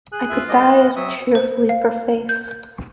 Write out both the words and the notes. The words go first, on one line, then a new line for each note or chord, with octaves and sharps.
I could die as cheerfully for faith.
G#4 F#6
D2 F4 E5
G#3 A#3 D#5
F5 F#6
F#3 E5 D#6
C5
F5
G6